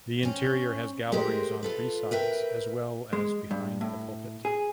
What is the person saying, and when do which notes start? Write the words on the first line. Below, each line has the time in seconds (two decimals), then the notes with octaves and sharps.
The interior has galleries on three sides as well as behind the pulpit.
0.23 C4 C#4
1.12 G#3 A3 G4 A#4 C5
1.63 F4 A4 B4
2.11 A#4 B4 E5 G5
3.13 G#3
3.51 G2
3.81 A2
4.45 G#4